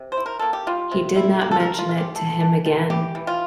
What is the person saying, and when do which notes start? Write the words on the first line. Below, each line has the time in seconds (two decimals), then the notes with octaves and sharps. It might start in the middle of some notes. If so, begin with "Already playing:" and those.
He did not mention it to him again.
Already playing: C3
0.12 C5
0.17 E4
0.26 A#4
0.39 A#3 A4
0.53 G4
0.67 G3 F4
0.92 C3
1.16 E4
1.41 A#3 G4
1.51 A4
1.60 A#4
1.66 G3
1.79 F4
1.89 C3 F4
1.97 G4
2.15 E3 A4
2.40 D4
2.66 G3
2.90 E3 G4
3.15 E3
3.27 F4